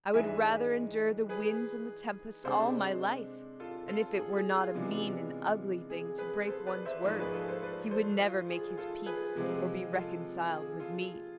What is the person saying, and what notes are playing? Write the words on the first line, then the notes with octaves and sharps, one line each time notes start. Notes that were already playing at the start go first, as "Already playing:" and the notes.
I would rather endure the winds and the tempests all my life: And if it were not a mean and ugly thing to break one's word, he would never make his peace or be reconciled with me.
G#2 E3 G#3 D4 E5 G#5
G#4 B4
C3 G#3 D4 A4 C5
F4 A4
F4 A4
G#4
G#4
F4
C3 E3 G#3 B3 D4
G#4
G#4 B4
A4 C5
B4 D5
C5 E5
G#2 F3 A3 B4 D5
G#4 B4
F4 A4
A4 C5
B4 D5
A4 C5
F4
G#4
F4 A4
G#4 B4
C3 F3 G#3 C4
F4 A4
G#4
F4 A4